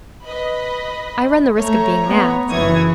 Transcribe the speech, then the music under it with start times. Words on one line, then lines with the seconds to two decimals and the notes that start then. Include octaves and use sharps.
I run the risk of being nabbed.
0.24 B4 D#5 B5
1.58 A3 C#5 A#5
2.06 B3
2.49 F#1 E3 C#6 D#6 G#6